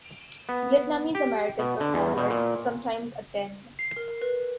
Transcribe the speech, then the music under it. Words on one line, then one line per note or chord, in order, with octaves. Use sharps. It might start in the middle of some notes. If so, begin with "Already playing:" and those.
Vietnamese-American performers sometimes attend.
B3
G4
B2
D3
E2
B2
A#2
C7
A#4
B4